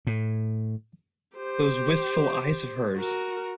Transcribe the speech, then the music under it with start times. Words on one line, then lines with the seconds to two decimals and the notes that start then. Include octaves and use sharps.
Those wistful eyes of hers!
0.07 A2
1.36 G4 C5
2.96 F#4 A#4